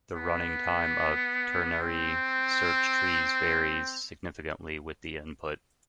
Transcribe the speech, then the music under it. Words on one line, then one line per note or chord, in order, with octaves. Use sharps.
The running time of ternary search trees varies significantly with the input.
B3
C4